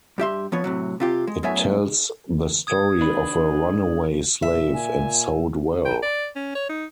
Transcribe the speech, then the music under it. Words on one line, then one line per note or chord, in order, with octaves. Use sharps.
It tells the story of a runaway slave, and sold well.
G2 G4 E5 C6
F3 B3 C#5
A2 C3 F#3
C3 F4 G4
G#3
F#2 A2 B3 C#5 E5 G#5
D#6 G#6
D4 B4
A#2 E5
G#5
G5
D5
C#4
C#5
D#4